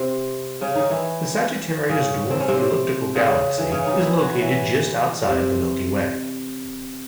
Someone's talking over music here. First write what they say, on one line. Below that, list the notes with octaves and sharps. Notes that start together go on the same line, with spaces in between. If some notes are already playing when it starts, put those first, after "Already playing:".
The Sagittarius Dwarf Elliptical Galaxy is located just outside the Milky Way.
Already playing: C3 C4
C#3 C#4
D#3 D#4
E3 E4
C#3 C#4
C4
C#4
C3 C4
C#3
E3
C#3 C#4
D#3 D#4
E3 E4
F#3 F#4
E3 E4
C3 C4